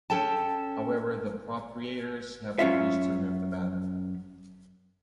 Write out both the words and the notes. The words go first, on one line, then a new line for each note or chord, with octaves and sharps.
However, the proprietors have refused to remove the banner.
C#4 A4 G5 A5
F#2 C#4 F4 E5